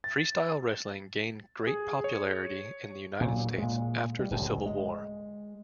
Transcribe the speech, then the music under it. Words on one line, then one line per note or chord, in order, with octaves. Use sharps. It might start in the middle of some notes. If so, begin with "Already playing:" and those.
Freestyle wrestling gained great popularity in the United States after the Civil War.
A6
G#4
C#5
A#2 F#3
A#2 G#3
G3
D1 C#2 F#2
G#3